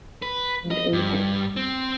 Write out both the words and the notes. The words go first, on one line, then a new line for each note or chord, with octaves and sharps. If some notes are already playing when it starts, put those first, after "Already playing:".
And able.
B4
D#5
G2
C4